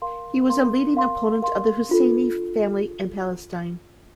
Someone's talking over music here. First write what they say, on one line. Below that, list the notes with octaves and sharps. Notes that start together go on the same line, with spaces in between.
He was a leading opponent of the Husayni family in Palestine.
A#4 F5 C6
A#4 F5 C6
A#4 F5 C6
A#4 F5 C6
D4 F4 A4